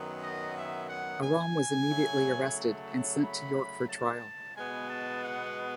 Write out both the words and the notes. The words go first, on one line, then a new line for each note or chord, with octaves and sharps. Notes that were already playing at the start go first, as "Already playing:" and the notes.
Aram was immediately arrested, and sent to York for trial.
Already playing: F#2 D#3 F#3 B3
D#5
E5
F#5
G#5
C#3 F#3 A3
A5
B5
A5
B2 G#3 B3 G#5
A5
F#5